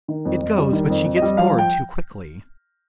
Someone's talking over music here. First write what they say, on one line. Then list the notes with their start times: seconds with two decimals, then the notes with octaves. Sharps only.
It goes, but she gets bored too quickly.
0.08 D#3
0.25 F2
0.41 F2
0.57 G3
0.73 D#3
0.90 F2
1.05 F2
1.16 D#5
1.22 G3
1.37 F3 F5
1.58 G5